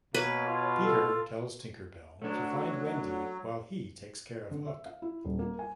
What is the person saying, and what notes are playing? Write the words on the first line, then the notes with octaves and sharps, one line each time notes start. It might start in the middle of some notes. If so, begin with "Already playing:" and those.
Peter tells Tinker Bell to find Wendy while he takes care of Hook.
B2 A#3 B4 C#5
F4
A4
F#3 A3 D4
D3
E5
F5
E4
D#1
A#3
G#5